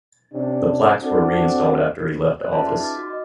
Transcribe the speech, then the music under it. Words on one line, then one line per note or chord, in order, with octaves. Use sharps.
The plaques were reinstalled after he left office.
C3 C#4 D4
C4 D4 F#4 A4
D5 F#6
C#4 F4 G#4 B4 E5 A5
D#4 C6
D6 F6 A6
F#4
F#4 D#5